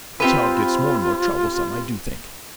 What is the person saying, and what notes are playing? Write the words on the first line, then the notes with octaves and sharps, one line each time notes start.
The child gets more and more troublesome, I do think.
C4 F4 G4 B4